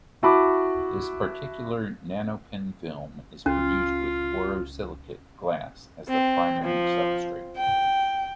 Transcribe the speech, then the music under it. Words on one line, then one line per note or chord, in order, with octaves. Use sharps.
This particular nanopin film is produced with borosilicate glass as the primary substrate.
E4 F#4 A5 B5 D6
C#2 C#4 F4
C4
F3
G5